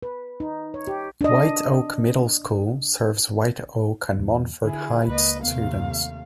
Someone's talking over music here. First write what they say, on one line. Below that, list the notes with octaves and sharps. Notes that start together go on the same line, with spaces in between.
White Oak Middle School serves White Oak and Monfort Heights students.
B4
D#4
C#5
G4
D4 D#5
E2 G#2 B2
D3 E4 G#4
C#2 A#3 B4 D#5
D#2 C3 A3 B3 F5